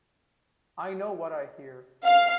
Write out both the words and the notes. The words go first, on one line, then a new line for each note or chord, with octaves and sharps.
I know what I hear.
F5